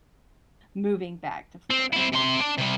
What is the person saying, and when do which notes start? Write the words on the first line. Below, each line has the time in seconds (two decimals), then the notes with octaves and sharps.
moving back to Florida 'cause
1.70 C4
1.93 C4 E4
2.12 C3 C6
2.40 D4
2.58 C3 G3